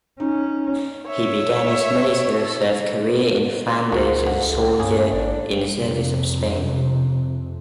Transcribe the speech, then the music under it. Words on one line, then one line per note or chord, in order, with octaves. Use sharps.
He began his military serve career in Flanders as a soldier in the service of Spain.
C#4 D#4
C#5 E5
C#2 A#3 F4 F#4
F2 D3
C2
G2 C#3 A#3 G#4
G#1 D4
F2 C3